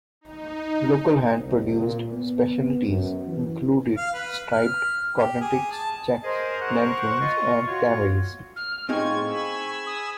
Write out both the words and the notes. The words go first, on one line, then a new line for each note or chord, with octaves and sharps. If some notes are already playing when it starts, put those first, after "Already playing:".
Local hand-produced specialities included striped cotton ticks, checks, Nankeens and Camrays.
D#4
C2
A#2
B3
F#2
E3
F5
B4
F6
G4
G#4
A5
G#4 A#4 C5 D#5
F#5 C#6
F4 D#5
F4 F#4 C#5
F6
A2 C4 D#4 F4 G#4 C#6 G#6
G#5 B5 E6
D#6